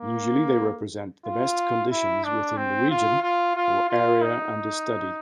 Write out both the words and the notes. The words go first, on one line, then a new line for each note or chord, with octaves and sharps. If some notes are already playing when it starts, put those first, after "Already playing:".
Usually they represent the best conditions within the region or area under study.
Already playing: A#3
F4
E4
D4
C4
F4
F4
F4
F4
D#4